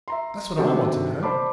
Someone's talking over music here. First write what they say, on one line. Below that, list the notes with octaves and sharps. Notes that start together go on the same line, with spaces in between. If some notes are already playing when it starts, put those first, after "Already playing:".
That's what I want to know.
E5 A#5 C6
C3 D#3 D4 F#4 G4 A4
C5 D5 A5 B5 D6